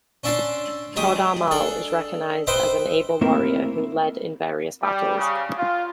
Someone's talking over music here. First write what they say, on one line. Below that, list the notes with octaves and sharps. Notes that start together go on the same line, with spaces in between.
Todar Mal is recognized as an able warrior, who led in various battles.
C#4 D4 E5 A5 C6
F#3 G#3 G4 D#6
D4 G#4 A4
B4 C5 D#5 E5 G5
A3 A#3 C4 E4 A#4
G3
C#3
F4